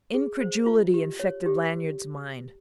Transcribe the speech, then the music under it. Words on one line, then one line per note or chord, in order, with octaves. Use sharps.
Incredulity infected Lanyard's mind.
G#4
C5
F4
G4
C#5
G4